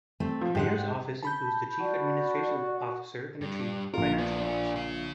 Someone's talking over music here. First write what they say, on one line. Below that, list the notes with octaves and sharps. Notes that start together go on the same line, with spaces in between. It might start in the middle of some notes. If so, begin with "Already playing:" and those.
The Mayor's office includes the Chief Administrative Officer and the Chief Financial Officer.
A3 C4
F3
G#2 G#3 G4 F#5
A5 B5 G6
F#4 D5
G2
A#1 F4 A#4
B3 D4
F3 D4
C#3 F5